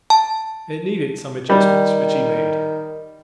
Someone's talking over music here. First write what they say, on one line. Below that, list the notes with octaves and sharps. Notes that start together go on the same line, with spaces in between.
It needed some adjustments, which he made.
A5
D#3 G3